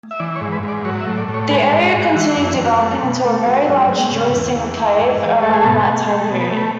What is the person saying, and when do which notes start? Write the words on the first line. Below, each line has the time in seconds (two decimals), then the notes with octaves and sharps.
The area continued developing into a very large Jewish enclave around that time period.
0.11 E5
0.20 E3 D5
0.36 C#5
0.41 G#2
0.52 B4
0.63 G#2 D5
0.85 F#3 C#5
1.01 E5
1.06 A2
1.17 D5
1.28 A2
1.34 C#5
1.50 G#3 B4
1.67 B4
1.72 G#2
1.94 G#3
2.00 F#4
2.15 E3 F#4
2.32 D4
2.37 F#2
2.48 E4
2.59 F#2
2.64 F#4
2.81 A3
3.02 B2
3.25 A3
3.46 F#3
3.68 G#2
3.90 G#2
4.12 C#3
4.34 E2
4.55 E2
4.76 E3
4.98 G#2
5.21 G#2
5.42 A3 A4
5.53 G#4
5.65 B2 A4
5.86 A3
6.07 A3 G#4
6.24 A4
6.30 B2
6.41 B4
6.51 A3
6.57 B4